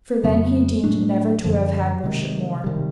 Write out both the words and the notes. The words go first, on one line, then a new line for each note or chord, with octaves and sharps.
For then he deemed never to have had worship more.
F2 C#3 F#3 B3
A2 F#3 A3 D4
F#2 D3 F3
C3 D#3 G#3
C3 D#3 G3